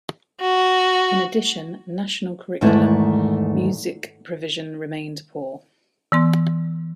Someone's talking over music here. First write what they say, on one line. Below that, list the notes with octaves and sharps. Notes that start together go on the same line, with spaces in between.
In addition, National Curriculum music provision remained poor.
F#4
E2 G#2 D#3 A3 E4
E3 B3 C6